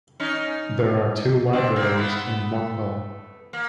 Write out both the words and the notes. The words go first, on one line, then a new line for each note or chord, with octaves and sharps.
There are two libraries in Mokpo.
C#4 D#4
C4 D4
A#3 C4
A3 B3
A#3